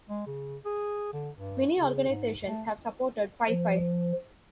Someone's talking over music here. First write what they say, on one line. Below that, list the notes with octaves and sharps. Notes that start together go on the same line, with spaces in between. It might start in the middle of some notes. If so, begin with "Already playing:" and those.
Many organisations have supported Phi Phi.
G#3
C#3
G#4
D3
G2
C#3
G#2
A3
F3